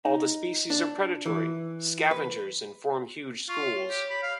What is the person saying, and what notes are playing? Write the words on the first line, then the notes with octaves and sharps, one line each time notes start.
All the species are predatory, scavengers and form huge schools.
D#4
D4
E3
B4
F4 C#6
C#5
G4
B5
F5